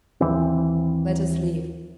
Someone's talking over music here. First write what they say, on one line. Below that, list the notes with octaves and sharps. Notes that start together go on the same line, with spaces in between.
Let us live.
D#2 E3 C4